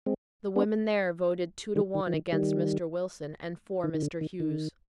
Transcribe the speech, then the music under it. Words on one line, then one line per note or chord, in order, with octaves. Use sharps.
The women there voted two to one against Mr. Wilson and for Mr. Hughes.
G#3 C4
B3 D4
D#3 G3
D#3
F3
D#3
D#3 G3
D#3
D#3
D3
D#3
D#3